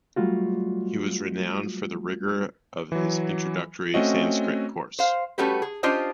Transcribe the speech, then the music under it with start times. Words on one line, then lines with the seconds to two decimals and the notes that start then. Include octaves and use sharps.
He was renowned for the rigor of his introductory Sanskrit course.
0.16 F#3 G3 A3 F4 F#4
2.92 E3 F#3
3.94 A3 C4 C#4 F#4 D#5
4.99 C5 F5
5.38 G3 A3 C#4 F#4 G4 B4
5.62 G#4
5.83 C#4 D4 F4 G4 C5 D#5